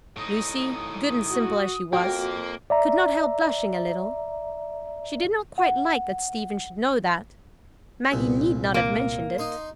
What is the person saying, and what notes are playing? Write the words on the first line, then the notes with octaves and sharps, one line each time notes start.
Lucy, good and simple as she was, could not help blushing a little. She did not quite like that Stephen should know that; Maggie need not have mentioned it.
A2 D#4 D#6
F#4
F2 A#3 F#4 G5
D5 E5 A#5
F#5
C2 A#2
A#3
D#4 C6